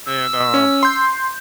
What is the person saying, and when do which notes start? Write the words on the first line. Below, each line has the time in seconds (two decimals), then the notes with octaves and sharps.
and, um,
0.06 E6
0.54 C#4
0.83 C6 G6